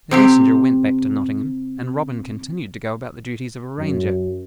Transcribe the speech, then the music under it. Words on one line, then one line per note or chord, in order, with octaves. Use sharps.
The messenger went back to Nottingham; and Robin continued to go about the duties of a ranger.
C3 C4 G4
F#2